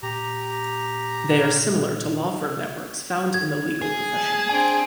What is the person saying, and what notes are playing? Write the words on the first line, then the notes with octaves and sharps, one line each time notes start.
They are similar to law firm networks found in the legal profession.
A#2 G4 A#5
G#6
G#4
A5
C4 D4 G#5